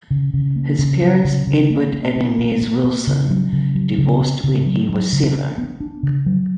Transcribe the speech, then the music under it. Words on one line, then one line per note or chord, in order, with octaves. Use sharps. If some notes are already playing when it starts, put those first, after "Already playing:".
His parents, Edward and Inez Wilson, divorced when he was seven.
C#3
C#3
A#3
C#3
F#3
C#3
C#3
A#3
A#3
A#3
A#3
A#3
A#3
C#3
F#3
C#3
F#3
C#3
B3
C#3
F#3
F#3
C#3
D4
B3
D4
C#3
F#3